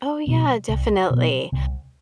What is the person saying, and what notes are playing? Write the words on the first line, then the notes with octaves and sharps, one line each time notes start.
Oh, yeah, definitely.
B2 F#3 B3
C2
B2 F#3 B3
C2